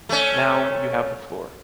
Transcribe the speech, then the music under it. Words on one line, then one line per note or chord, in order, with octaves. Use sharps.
Now you have the floor.
A3 C#4